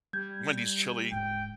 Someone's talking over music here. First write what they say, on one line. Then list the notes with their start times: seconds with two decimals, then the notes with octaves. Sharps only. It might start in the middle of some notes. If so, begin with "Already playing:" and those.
Wendy's chili,
0.13 G3 G6 G#6
1.12 D1 G#2 G5